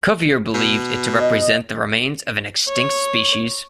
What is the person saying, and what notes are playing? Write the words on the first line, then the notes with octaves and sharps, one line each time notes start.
Cuvier believed it to represent the remains of an extinct species.
B2
D#5
C#5